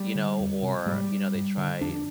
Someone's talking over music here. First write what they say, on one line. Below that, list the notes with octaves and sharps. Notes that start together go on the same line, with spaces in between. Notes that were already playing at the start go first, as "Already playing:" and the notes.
you know or, you know, they try,
Already playing: G3
D3
F2
C3
G#2 G3
G2
D3
F2 D4